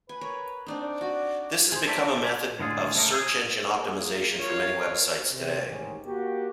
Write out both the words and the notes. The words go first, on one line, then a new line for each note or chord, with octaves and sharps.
This has become a method of search engine optimization for many websites today.
B4 G#5
A#4 C#5
C4 D4 D#4
D5
F#4
G#4 C5
A4 C#5 D5 E5 G5 A#5
A2 D3 G#3 F4 G#4
C#3 A3 A#3 D#4 A#4
G#4
A#3 G#4
F4 A#4 C#5 F5
C3
A1 D#2 G#2 G#3 C#4 G4
A#3 F#4 G4